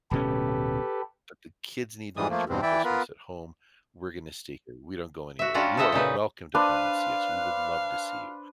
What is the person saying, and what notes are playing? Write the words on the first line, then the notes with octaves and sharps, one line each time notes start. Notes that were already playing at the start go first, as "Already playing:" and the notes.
but the kids need to enjoy Christmas at home. We're gonna stay here, we don't go anywhere, you are welcome to come and see us, we would love to see you,
D1 B2 C#4 G4 A4 B4
G#2 E3 G3 G#3 D#6
F3 A3 A#3
E2 G2 B2 C4
E3 E4 D5 E5 G5
B3 F4 A#4 B4
F#4 E5
G3 C#4 D4 F4 F#4 F#5
A4 C5 D#5 E5 F#5
A#2 C#3 D#4 B4
D4 B4 C5 F5